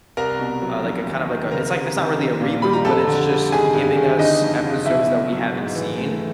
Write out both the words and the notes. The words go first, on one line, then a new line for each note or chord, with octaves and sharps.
Uh, like, a kinda of like a it's like it's not really a reboot, but it's just giving us episodes that we haven't seen.
C2 A#4 A#5
B2
F#3
F1
D#2
D#3
C#2 A#4 A#5
C3
D#3
A#1
A#2
G3 B5
A#5
F2 A4 A5
D3
G3
G#1 G#4 G#5
G2
D#3
G1 D#4 D#5
F2
C#3
B1 E4 E5
B2
F#3
G#2
E3
A3